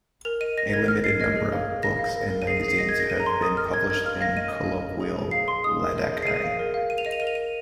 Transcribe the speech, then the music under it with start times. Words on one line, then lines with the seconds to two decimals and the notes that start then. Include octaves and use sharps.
A limited number of books and magazines have been published in colloquial Ladakhi.
0.25 A#4 F7
0.41 D#5 D#7
0.57 D#5 A#6
0.73 A#4 G#6
0.88 D#5 F6
1.04 A#4 C7
1.20 D#5 G#6
1.36 G#4
1.53 F5
1.68 F5
1.83 A#4 A#6
1.99 F5
2.16 A#4
2.31 A#4
2.42 D#7
2.47 G#4 C7
2.57 D#7
2.62 G#4
2.68 C7
2.78 D#5 A#6
2.89 G#6
2.94 A#4
3.00 A#6
3.10 A#4 D#7
3.20 A#5
3.26 D#5 C6
3.41 A#4 D#6
3.57 D#5 F6
3.74 A#4 G#6
3.90 D#5 G#6
4.05 F5 F6
4.21 F5 A#6
4.37 D#5 D#7
4.53 D#5
4.68 D#5
4.85 D#5
5.00 G#4
5.17 G#4
5.31 F5 C7
5.48 G#4 C6
5.64 D#5 D#6
5.80 A#4
5.95 D#5
6.12 G#4
6.22 C7
6.26 G#4 D#7
6.43 F5
6.59 A#4
6.74 F5
6.90 A#4 D#7
6.98 F7
7.05 D#5 D#7
7.12 F7
7.20 A#4 D#7
7.27 F7
7.35 A#4 D#7